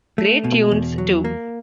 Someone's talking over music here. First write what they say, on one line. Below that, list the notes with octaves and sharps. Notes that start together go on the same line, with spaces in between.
Great tunes too.
A3
B2
E2
F#3
A#3